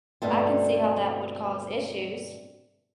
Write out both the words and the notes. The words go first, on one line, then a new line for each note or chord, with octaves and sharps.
I can see how that would cause issues.
G2 B2 D3 A3 C4